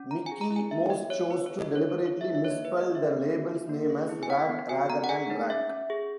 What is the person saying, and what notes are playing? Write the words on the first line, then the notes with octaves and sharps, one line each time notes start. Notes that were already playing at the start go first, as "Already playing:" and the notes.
Mickie Most chose to deliberately misspell the label's name as 'Rak' rather than 'Rack'.
Already playing: C#4
B3 A#5
G#5
G#4
A#5
E4
G#5
A#3 E5
F#4 D#5
D#4 C#5
B3 B4
G#4 C#5
D#5
E4
C#5
B3 C#5
G#4 C#5
E5
E4 E5
C#5
A#3 D#5
B4
G#4
D#5
C#4
E5
A#3
F#4
D#4
A#3
G#4
E4
G#5
B3 F#5
B3
F#4 G#5
B3 A#5
F#5
G#4 G#5
D#4
C#4 E5
C#4
G#4